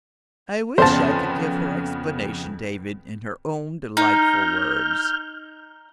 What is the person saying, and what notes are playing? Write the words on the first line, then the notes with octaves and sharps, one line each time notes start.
I wish I could give her explanation, David, in her own delightful words.
F2 C#3 B3 C5 A5
D#4 F6 G6